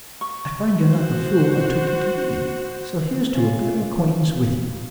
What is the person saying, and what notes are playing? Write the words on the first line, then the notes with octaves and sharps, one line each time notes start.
"I find you're not the fool I took you to be; so here's to a better acquaintance with you."
C#6
F#4 C5
C#3 F4